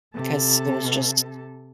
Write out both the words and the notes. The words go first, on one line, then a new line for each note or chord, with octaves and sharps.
because it was just
C3 A4